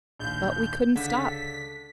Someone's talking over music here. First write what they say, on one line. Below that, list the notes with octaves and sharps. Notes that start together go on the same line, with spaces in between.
But we couldn't stop.
A#1 D#2 G6
C#2 D3 B6